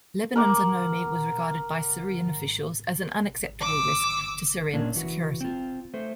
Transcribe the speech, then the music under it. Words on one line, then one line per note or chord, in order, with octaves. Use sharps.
Lebanon's anomie was regarded by Syrian officials as an unacceptable risk to Syrian security.
A#4 F#5 D6
D6 E6
A#2 A#3 C#4 D4
E3 F#4
C4 F4
A3 C5